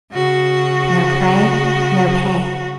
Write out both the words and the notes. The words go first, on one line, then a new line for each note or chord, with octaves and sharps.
No prey, no pay.
C#3 F#4